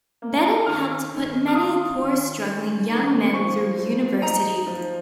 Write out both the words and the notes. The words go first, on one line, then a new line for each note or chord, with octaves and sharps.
Bennett helped put many poor, struggling young men through university.
A#3
D#3 F6
D#3
F6
F4 D#6
D#3
C#4
D#3
F3 C#6
F3
D#4 A#5
F3